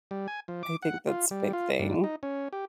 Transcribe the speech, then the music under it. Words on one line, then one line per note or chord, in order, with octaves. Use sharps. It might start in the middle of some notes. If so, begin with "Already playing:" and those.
I think that's a big thing.
G3
G#5
F3
D6
F#5
F4
G3
F4
G2
D#4
C#4
G4